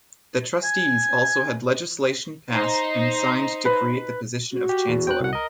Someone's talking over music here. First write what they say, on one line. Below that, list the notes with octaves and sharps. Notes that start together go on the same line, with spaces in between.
The trustees also had legislation passed and signed to create the position of chancellor.
G#5
D#4 C5
B4
F#4
G4
E2
G5 F#6
C2 F#5
A#4 D#5